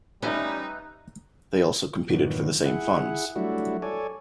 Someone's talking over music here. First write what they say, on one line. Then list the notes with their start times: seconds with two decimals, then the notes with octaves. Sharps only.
They also competed for the same funds.
0.22 G3 C#4 D#4 B4 E5 A#5
2.10 E2 G2 A#2 D#3 F#3 B3
2.65 E4 G#4 F#5
3.36 F#3 G3 A3 D4 E4 F#4
3.82 A4 C#5 D5 G#5